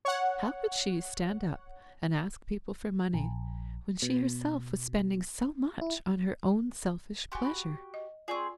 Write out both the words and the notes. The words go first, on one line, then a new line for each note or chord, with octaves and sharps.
How could she stand up and ask people for money when she herself was spending so much on her own selfish pleasure?
C#5 F#5
A#1
B2
E4
F#4 G4 G#5 C6
B5
D#5
C4 F4 G#4 D5 C#6